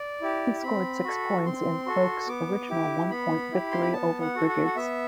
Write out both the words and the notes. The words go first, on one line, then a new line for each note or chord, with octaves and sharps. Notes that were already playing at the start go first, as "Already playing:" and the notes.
He scored six points in Crokes' original one-point victory over Brigids.
Already playing: D5
E4 G4
C4 B5
F#4 A4
C4 C6
F#4 A4
B3 D6
E4 G4
B3 B5
E4 G4
C6
B5
B3 A5
F#5
F#4 A4
F#5
F#5
B3 E5